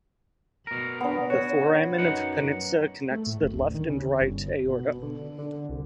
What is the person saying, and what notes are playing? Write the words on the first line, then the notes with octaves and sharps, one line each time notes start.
The foramen of Panizza connects the left and right aorta.
B2 A#4
B3 D4
F#4 C#5 D#6
F#2 D#4 F#5
A3
A2
F#1
D2
D#3
C#3
G1
B2
D3
D3
C2